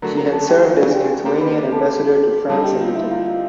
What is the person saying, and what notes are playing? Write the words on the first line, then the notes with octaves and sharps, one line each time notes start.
She had served as Lithuanian ambassador to France and Italy.
D3 F#3 A3 D4 F#4 A#4 A#5
A#4 A#5
A4 A5
G4 G5
F4 F5
D4 D5
G#5
G4 G5
A#3 D4 G4 A#4 C5 A#5
B4 B5
A4 A5
D3 G3 C4 D#4 A4 A5
G4 G5
F4 F5
E4 E5
F4 F5
F4 F5